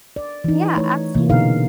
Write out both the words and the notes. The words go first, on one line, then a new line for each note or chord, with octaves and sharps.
Yeah, absolutely.
D5
E3 D#4
A3 C#5
C3 E3 A#3
B2 D3 D#4 G#4 A#4 F5